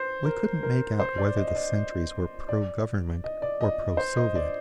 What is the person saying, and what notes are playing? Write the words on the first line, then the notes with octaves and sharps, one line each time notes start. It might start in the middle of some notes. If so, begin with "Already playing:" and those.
We couldn't make out whether the sentries were pro-Government or pro-Soviet.
Already playing: C5
A#4
A#4
C5
D5
D#5
D#5
D5
D5
D#5
D5
D#5
C5
D#5
D5